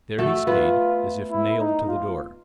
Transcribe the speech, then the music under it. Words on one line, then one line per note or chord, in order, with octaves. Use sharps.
There he stayed as if nailed to the door.
A3 F#4 A4
B3 F4 B4
E4
D#4
F4